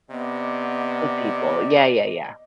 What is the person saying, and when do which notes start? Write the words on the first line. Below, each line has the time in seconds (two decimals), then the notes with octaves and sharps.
The people. Yeah, yeah, yeah
0.10 C3 B3 D5 D#5